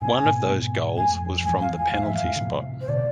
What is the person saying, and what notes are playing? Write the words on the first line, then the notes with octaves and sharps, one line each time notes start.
One of those goals was from the penalty spot.
A2 C3 G#5
G#2 B2
A2
G#2 B2
F2 A2 G#5
E2 G#2 G#5
F2 F5
E2
F2 G#5
F2 A2 F5
E5
E2 G#2
F5
F2
D3
A2 C3
C5
B2 D3 D5